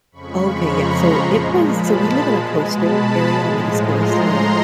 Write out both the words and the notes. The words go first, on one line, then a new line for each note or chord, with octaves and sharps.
Okay, yeah. So, it was So, we live in a coastal area on the East Coast, eh,
F2 C#3 F3 G#3 B5 C#6
A#5 C6
A#2 F3 G#3
A5 B5
B2 G#3
A5 B5
A2 F3 G#3
A#5 C6